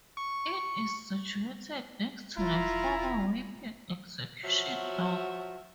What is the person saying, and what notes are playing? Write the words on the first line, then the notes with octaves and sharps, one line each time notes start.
It is situated next to the former Wapping Execution Dock.
C#6
E1 E4 F4 A#5
F3 F#3 F#4 E5